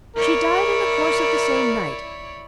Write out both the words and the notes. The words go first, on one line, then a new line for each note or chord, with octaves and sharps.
She died in the course of the same night.
E4 A#4 C#5 D5